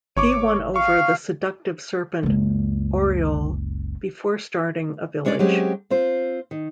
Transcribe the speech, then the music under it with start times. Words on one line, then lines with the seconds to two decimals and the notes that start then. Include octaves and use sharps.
He won over the seductive serpent Oriol before starting a village.
0.17 G#1 C#5 C#6 D6
0.76 F5 C#6
2.23 F#1 C#2
5.25 G#3 C#4 D4 C#5 D5
5.39 F#3 G#3 C4 C#4 G4
5.90 C4 F4 C5
6.51 D#3